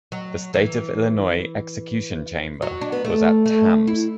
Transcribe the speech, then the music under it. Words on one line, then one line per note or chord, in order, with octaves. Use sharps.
The State of Illinois execution chamber was at Tamms.
F#3
E3
F#3
D4
B3
A3
A3
E4